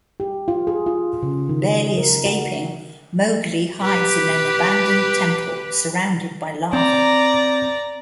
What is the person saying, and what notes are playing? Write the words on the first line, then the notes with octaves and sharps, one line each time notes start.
Barely escaping, Mowgli hides in an abandoned temple surrounded by lava.
G4
F4
G#4
F4
C#3
D#3
D#5
A#4
F#4
G4 B4
C4 D5 A#5